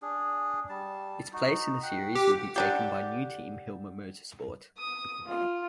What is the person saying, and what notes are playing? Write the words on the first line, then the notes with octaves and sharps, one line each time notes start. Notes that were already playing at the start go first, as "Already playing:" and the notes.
Its place in the series will be taken by new team Hilmer Motorsport.
D4 G#4
G3 A5
D#4 F#4
F#5 G5
G4
D3 D4 G4
D#6
F4